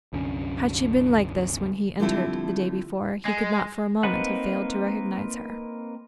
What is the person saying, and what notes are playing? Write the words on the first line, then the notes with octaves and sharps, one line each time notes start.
Had she been like this when he entered the day before he could not for a moment have failed to recognize her.
C2 F#2 D3 C#4
D3 F3 G3 A3 C4 E4
G#3
A#3 C4 D#4 B4 F#5